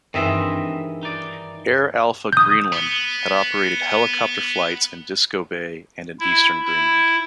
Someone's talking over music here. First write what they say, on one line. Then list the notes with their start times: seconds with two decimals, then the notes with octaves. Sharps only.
Air Alpha Greenland had operated helicopter flights in Disko Bay and in eastern Greenland.
0.14 G2 D#3 E3 G#3 C4 D#5 E5
1.03 D#4 D5
2.33 D#6 G6
2.73 B3
6.20 E4
6.65 E4